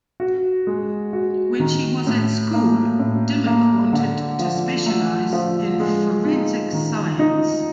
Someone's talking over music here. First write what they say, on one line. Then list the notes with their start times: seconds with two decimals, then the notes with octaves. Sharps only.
When she was at school Dimmock wanted to specialise in forensic science.
0.20 F#4
0.67 G#3
1.13 F#4
1.60 D#3
2.07 A2
2.53 A#3
2.99 A2
3.46 A#3
3.93 D3
4.39 F3
4.86 A3
5.33 F3
5.80 G#3
6.26 D#4
6.73 D#3
7.19 D#4